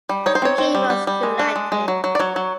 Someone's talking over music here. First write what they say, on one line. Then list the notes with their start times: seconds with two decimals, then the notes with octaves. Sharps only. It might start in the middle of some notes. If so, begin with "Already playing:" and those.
The king was delighted.
0.09 G3
0.26 D#4 C#5
0.35 C5
0.42 C4 C#5
0.58 C4
0.75 G3
0.90 G3
1.07 G3
1.23 G#3
1.39 D4
1.56 G#3
1.72 G#3
1.88 F#3
2.04 F#3
2.15 D5
2.19 F#3 C#5
2.36 F#3